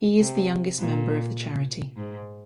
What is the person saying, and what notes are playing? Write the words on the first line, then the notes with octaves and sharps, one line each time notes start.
He is the youngest member of the charity.
C3
A#2
G#2